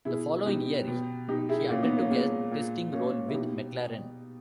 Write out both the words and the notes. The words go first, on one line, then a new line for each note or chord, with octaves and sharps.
The following year, he undertook a testing role with McLaren.
B2 E4 G#4
B2 D#4 G4
B2
B2 D#4 G4
E4 G#4
A#2 A#3 C#4
B3 D#4
A#3 C#4
A#2 G#3 B3
A#2
A#2 A#3 C#4
E4
B2 D#4 G4